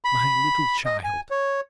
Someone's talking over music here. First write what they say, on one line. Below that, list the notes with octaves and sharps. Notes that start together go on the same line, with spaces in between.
"My little child!"
B5
D#5
G#5
C#5